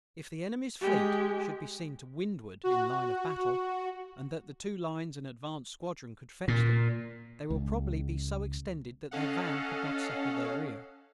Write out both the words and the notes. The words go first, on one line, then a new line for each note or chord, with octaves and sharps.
If the Enemy's Fleet should be seen to windward in line of battle, and that the two lines and advanced squadron could fetch them, they will probably be so extended that their van could not succour their rear.
G#3 G4
F#4
A#2
C#2
C#4 A4 D#5 F5 F#5